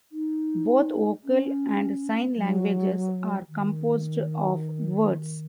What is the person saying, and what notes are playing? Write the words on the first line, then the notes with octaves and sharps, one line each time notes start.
Both vocal and sign languages are composed of words.
D#4
C#4
F#3
D#3